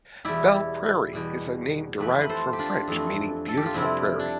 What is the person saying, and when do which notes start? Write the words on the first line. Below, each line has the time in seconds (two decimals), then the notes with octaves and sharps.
Belle Prairie is a name derived from French meaning "beautiful prairie".
0.25 E2 B2 G3 E4 G4
1.13 E2 B2 G3
1.98 F2 E3 A3 C4 G4 B4
2.21 B4
2.29 A4 C5
2.53 G4
2.58 D4 F4
2.88 F2 E3 A3 C4
3.48 A4
3.57 G4
3.66 F4
3.74 F2 C3 G3 C4 E4
4.19 D4